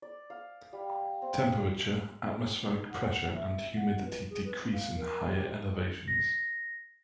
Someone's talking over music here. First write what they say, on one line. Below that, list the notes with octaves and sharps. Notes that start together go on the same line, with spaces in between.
Temperature, atmospheric pressure and humidity decrease in higher elevations.
D5
F5
G3
C4
D#4
F#5
E5
F#5
B4
G#4
B4
F5
A#4
G4
A#6